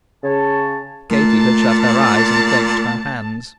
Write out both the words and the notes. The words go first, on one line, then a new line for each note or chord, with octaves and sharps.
Katie had shut her eyes, and clenched her hands.
C#3 C#5 A5
A#2 A3 A5